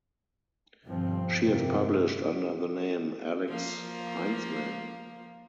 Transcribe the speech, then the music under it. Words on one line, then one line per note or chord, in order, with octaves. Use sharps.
She has published under the name Alix Heintzman.
G1 G2 B2 F3 C4
G1 F2 A2 C3 A#3 C4
F3 A#3